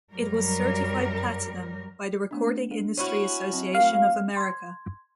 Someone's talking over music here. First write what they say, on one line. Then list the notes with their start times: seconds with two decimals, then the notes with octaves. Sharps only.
It was certified Platinum by the Recording Industry Association of America.
0.12 F#2 F#3 G3 A#4
2.31 A3 B3 D4
2.71 G#3 D4
2.97 C#4 E4 F#4
3.53 F#3 C4
3.75 A3 A#4 F5
4.36 C6 G#6